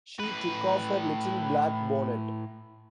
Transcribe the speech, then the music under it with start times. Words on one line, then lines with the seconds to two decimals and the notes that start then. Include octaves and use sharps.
She took off her little black bonnet.
0.20 A2 B4